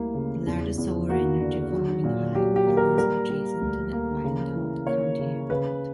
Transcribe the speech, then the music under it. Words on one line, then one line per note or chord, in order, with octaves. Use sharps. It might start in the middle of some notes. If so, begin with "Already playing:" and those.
The largest solar energy farm in Ohio covers adjacent to the Wyandot County Airport.
Already playing: D2 G3 A#3 E4
C#3
E2
E2
A#3 F#4
D3
F#3
A#2
F#3 G4
G4
A#3
A#4
G3 A#4
G3
D2
A#3
C#3
E3
A#3 C#5
C#3
C#3 B4